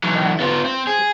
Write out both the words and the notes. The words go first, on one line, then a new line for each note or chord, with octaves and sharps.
right. I
E3 F#3
B3 F4
C4
G#4